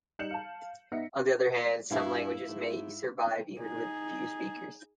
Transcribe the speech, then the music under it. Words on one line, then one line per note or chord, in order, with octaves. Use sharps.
On the other hand, some languages may survive even with few speakers.
G3 D#4 G6 C#7 E7 F#7
F5 A5
B3 D#4 E5 A#6 B6 C#7
G2 E4 F5
G#2
D#4 G#4